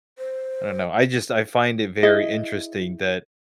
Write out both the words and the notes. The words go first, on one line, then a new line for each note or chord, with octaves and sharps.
I don't know, I just I find it very interesting that
C5
E4 G#4 D#5